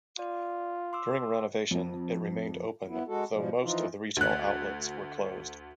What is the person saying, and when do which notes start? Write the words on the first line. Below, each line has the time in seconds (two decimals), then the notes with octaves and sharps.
During the renovation, it remained open though most of the retail outlets were closed.
0.19 F4 D5
0.93 C6 D6 E6
1.71 F2
2.88 B3 E4
3.08 G#3 F#4 A4
3.32 B2 F3 G3
3.62 E3 F3 D#4 F4
4.17 D2 F#6